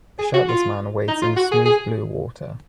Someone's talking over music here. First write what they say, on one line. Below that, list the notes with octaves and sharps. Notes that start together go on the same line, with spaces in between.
A shirtless man wades in smooth blue water.
G#4
F#4
F4
D#4
F4
F#4
G#4
G#4